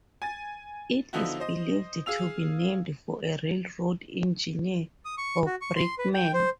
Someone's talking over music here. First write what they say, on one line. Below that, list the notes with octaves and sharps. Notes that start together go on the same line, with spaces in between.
It is believed to be named for a railroad engineer or brakeman.
G#5 A6
D3 F3 B3 D#4 E4 F#4
C5 D#5
G#4 F5 E6 F7
D#6
C#6
F#4
C#6
C6
B4
G5
C5